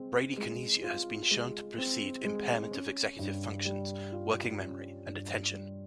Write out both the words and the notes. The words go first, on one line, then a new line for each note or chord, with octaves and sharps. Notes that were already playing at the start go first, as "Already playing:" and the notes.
Bradykinesia has been shown to precede impairment of executive functions, working memory, and attention.
Already playing: G#3 C4
G#3
F4
G#3
C4
G#3
C#4
G2
G3
F4
C#4
G2
G3